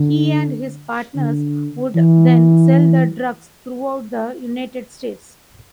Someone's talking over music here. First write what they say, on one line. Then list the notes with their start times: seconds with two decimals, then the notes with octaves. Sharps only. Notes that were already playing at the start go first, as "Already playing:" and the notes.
He and his partners would then sell the drugs throughout the United States.
Already playing: D3
1.16 D3
1.96 E3